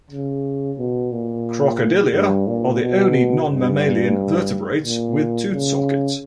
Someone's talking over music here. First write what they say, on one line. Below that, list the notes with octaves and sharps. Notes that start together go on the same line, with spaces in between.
Crocodilia are the only non-mammalian vertebrates with tooth sockets.
C#3
B2
A#2
G2
A#2
B2
G2
A#2
C#3